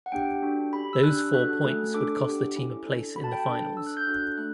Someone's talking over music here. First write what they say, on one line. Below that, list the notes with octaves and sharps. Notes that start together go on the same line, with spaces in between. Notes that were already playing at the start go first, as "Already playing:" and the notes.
Those four points would cost the team a place in the finals.
F#5
B3 D4 G4 G5
D4 F#4 A4
C#4 G4 B5
E6
D4 G4 F#6
D4 F#4 A4 F#6
A3 C#4 F#4 A4
D4 A4 D6
B3 D4 G4
C#4 E4 A4
D4 A4
B3 F#4 A4 B5
A5
G5
A5
D4 A4
D4 A4 E6
F#6
G6
D4 F#4 A4 F#6
A3 D4 A4 F#6